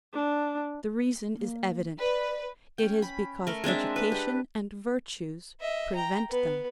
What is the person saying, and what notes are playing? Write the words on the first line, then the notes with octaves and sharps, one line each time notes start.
The reason is evident: it is because education and virtues prevent them.
D4
A#3
B4 D5
C#4 G5
B5
A3 A#4
G#3 C4 D4 E5
B4
G4
D#5 E5
G5 A#5
B3 B4